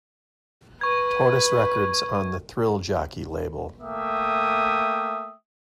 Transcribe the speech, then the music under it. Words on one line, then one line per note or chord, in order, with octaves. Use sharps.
Tortoise records on the Thrill Jockey label.
B4 C#6 G#6
A3 A#3 E5 G5 D#6